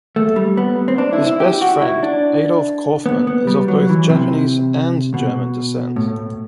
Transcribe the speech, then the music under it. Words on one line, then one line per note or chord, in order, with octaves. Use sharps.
His best friend Adolf Kaufmann is of both Japanese and German descent.
A3
G3
B3
C4
D4
E4
E4
G4
F#4
E4
D4
B3
B3
G3
F#3
E3
C3
B2
A2